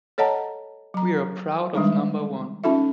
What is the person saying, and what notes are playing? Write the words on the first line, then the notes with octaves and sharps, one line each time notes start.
We're proud of number one.
A4 C#5 D#5 F#5 A5 A#5
F#3 A#5
D#3 G3 G#3 D4 D#4
C#4 D#4 F4 A4 E5